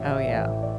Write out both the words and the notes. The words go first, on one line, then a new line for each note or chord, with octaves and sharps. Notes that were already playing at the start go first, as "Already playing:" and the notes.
Oh, yeah.
Already playing: A1 E5
E5
A2 E3
D5